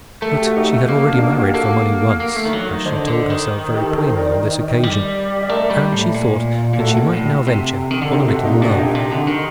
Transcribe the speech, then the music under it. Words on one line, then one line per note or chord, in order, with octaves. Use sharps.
But she had already married for money once, as she told herself very plainly on this occasion, and she thought that she might now venture on a little love.
A3 A4
G4
F#4
D#4 G4
A#3
D4
D#4
F#4
G4
A#3 F#4 A4
A#3
A3
D#3
F#3
D#3
D3 C5 D#5
D3
D#3
G4
A4
A#4
C5
A#4 D5
G3
D#5
A3 A#4 D5
G3
A2
A#2
A#2
A2 F#4 A4
A#2
A2
C3
D#3
D3 A4
C3 D#4 G4
C3 F#4 A4
A#2 D#4 G4
C3 D4 F#4
A#2 D#4 G4
C3
D3
D#3